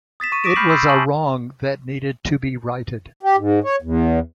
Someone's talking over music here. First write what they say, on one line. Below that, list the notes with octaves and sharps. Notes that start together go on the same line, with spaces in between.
It was a wrong that needed to be righted.
D#6 A6 B6 E7
C#6 D#7
D6 D#6 A#6 B6 D7 E7
B5 F6 G6 C7 F#7
C6 D#6 E6 G6 A6 C7
G#5 A5 C#6 F#7
G4
G#2
C#5
E2